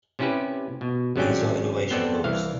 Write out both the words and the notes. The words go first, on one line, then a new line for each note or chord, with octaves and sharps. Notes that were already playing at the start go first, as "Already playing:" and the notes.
These are innovation hubs.
C3 C#4 E4 G4 B4
B2
G#1 C3 F#3 C#4 D4 G5
B3 C4 A4 D5
C2 E3 F5